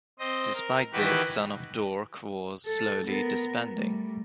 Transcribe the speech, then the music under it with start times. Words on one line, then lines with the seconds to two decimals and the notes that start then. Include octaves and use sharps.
Despite this, Son of Dork was slowly disbanding.
0.19 C4 C5 D#5
0.54 A#4
0.93 D#3 E3 F#4 G4 B4
2.66 A4
3.07 B3 A#4
3.74 G3 A3